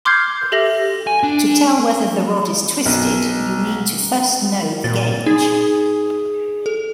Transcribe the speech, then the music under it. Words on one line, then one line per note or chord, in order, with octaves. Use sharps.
To tell whether the rod is twisted, you need to first know the gauge.
C6 D6 F6 G6 G#6 C7
G4 A4 E5 A#6 F#7
G#5
D4
B1
A#2 A6
D#4 G#4
A4